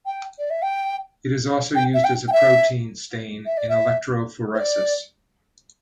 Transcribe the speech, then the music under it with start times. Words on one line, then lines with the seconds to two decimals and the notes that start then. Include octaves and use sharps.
It is also used as a protein stain in electrophoresis.
0.06 G5
0.39 D5
0.50 E5
0.62 G5
1.76 G5
1.94 E5
2.04 G5
2.28 G5
2.32 E5
3.46 E5
3.58 D5
3.69 E5
4.54 C5
4.59 D5